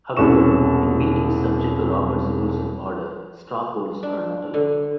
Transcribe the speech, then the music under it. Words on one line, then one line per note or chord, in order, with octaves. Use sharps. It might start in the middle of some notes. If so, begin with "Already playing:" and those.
However, in meetings subject to Robert's Rules of Order, straw polls are not allowed.
E1 C2 C#4 A4 C#6 E7
D4
D3